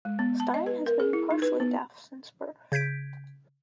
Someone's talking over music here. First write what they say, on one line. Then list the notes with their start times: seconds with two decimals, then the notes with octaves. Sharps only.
Stine has been partially deaf since birth.
0.05 G#3
0.19 B3
0.40 A5
0.54 D#5
0.66 B4
0.86 A#4
1.00 G#4
1.13 E4
1.31 D#4
1.42 B4
1.60 B3
2.72 C#3 G6 G#6 B6 D7